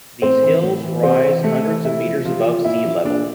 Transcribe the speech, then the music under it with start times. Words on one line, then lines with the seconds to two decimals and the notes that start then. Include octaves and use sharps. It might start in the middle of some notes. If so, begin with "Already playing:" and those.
These hills rise hundreds of meters above sea level.
0.22 A2 C4 C5
0.43 E3
0.63 A2
0.83 E3
1.03 C3 C4 C5
1.23 E3
1.43 C3 A3 A4
1.64 E3
1.85 C3 E4
2.04 F3
2.24 C3 F3 F4
2.45 F3
2.64 A#2 E4
2.85 F3
3.05 A#2 D4